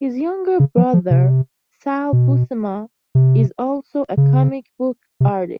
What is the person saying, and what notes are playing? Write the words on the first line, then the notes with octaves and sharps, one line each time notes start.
His younger brother Sal Buscema is also a comic book artist.
C#3
F3
F3
C3
B2
C3
C#3
C3